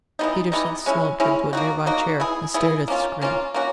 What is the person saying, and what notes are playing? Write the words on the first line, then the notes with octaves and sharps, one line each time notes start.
Peterson slumped into a nearby chair and stared at the screen.
E3 G3 B3 D#4
E3 G3 B3 D#4
G#3 C#4 E4
G#3 C#4 E4
A#3 D#4 F#4
A#3 D#4 F#4
B3 E4 G#4
B3 E4 G#4
A#3 C#4 F4
A#3 C#4 F4
A#3 C#4 F#4